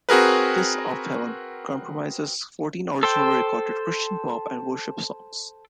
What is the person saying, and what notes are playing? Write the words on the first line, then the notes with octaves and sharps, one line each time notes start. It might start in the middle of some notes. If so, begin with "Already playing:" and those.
"Kiss of Heaven" comprises fourteen originally-recorded "Christian pop" and worship songs.
C4 F#4 G#4 A#4 B4
A4 C5 G5